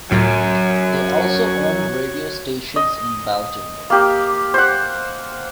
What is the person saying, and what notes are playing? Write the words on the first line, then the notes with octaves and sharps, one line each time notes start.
They also own radio stations in Baltimore.
C#2 F#2 A2 F#3 F#4 C#5
D#5
A#3 G4
C5 F#5